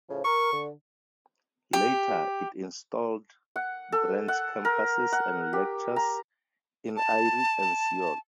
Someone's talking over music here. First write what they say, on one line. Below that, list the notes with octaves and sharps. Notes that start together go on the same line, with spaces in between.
Later, it installed branch campuses and lectures in Iri and Seoul.
A2 C#3 F3
A#4 C#6
D3
G4
F#5
A4
F#5
A#4
F#5
G4
A#5
A5